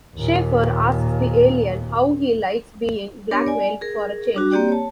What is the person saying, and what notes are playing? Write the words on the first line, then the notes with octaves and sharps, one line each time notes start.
Shaeffer asks the alien how he likes being blackmailed for a change.
D#2 A#2
B3 D4 G4 A#4 C#5
D5 G#5
G#4 A#4
G3 D4 F#4
A#3 C4 G4 D5 G5
C#5 A5